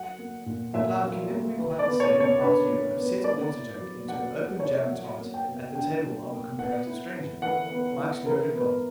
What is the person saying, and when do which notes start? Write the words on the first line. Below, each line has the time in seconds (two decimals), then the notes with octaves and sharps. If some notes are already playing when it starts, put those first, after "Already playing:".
But life can never be quite the same after you have upset a water-jug into an open jam-tart at the table of a comparative stranger. Mike's nerve had gone.
Already playing: F#3 F#5
0.18 A#3
0.46 A#2
0.74 A#2 E5
1.02 F#3
1.30 A#3
1.58 E3
1.79 D5
1.85 B3
2.00 C#5
2.14 C#3
2.20 C#5
2.41 D4 B4
2.69 E3
2.97 B3
3.24 A#3 D5
3.52 E4
3.80 F#3
4.09 F#3 F#5
4.36 A#3
4.60 E4 C#5
4.70 D5
4.81 E5
4.91 F#3 F#5
5.20 A#3
5.34 G5
5.48 B2
5.75 D4 G5
6.03 F#3
6.31 A#3
6.58 B3 F#5
6.87 E4
7.15 E3
7.42 E3 F#5
7.70 B3
7.98 E4
8.26 E3 A#4
8.54 B3